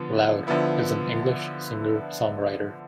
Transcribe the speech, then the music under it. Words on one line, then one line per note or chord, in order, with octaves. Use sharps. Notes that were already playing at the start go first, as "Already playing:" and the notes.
Loud, is an English singer-songwriter.
Already playing: D3 F3 B3
D3 F3 B3 E4